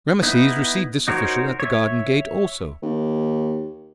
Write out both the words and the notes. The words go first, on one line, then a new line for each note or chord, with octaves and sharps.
Rameses received this official at the garden gate also.
B3 D#4 E4
D#4 F#4 A#4 C5 C#5
C#5 E5
D#2